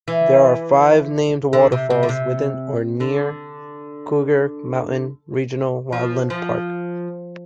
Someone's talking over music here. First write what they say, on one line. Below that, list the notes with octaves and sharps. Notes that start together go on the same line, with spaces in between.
There are five named waterfalls within or near Cougar Mountain Regional Wildland Park.
E3
D3
C3
C3
D3
C3
D3
F3
F3